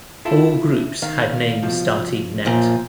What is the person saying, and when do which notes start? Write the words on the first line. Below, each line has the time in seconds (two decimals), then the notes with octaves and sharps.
All groups had names starting net.
0.25 E4 F4 A4
1.02 D#3 F5
1.63 C2 B2 F3
2.45 F#2 A#2 F3